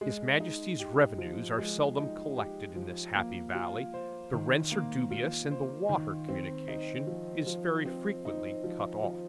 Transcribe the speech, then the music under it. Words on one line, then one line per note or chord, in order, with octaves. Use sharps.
His Majesty's revenues are seldom collected in this happy valley; the rents are dubious; and the water communication is very frequently cut off.
G#3
D#4
G4
F3
G#3
D#4
G4
F3
A#3
F4
C5
D#3
A#3
F4
C5
D#3
C4
D#4
F3
F3
C4
D#4
F3
F3